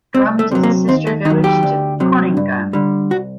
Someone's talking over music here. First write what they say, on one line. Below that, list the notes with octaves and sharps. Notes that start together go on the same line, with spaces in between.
Drums is a sister village to Conyngham.
C2 C4
A3
C3 F#3
A#3
D#2 C4
A3
D#3 D#4
F#3
G4
D2
C3 F#3
G2
D3 G3
C2 F#4